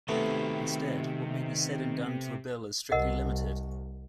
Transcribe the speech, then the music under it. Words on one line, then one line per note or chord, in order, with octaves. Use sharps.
Instead, what may be said and done to a bill is strictly limited.
C3 D#3 A3 B3 C5
C2 A#4 D#5 F#5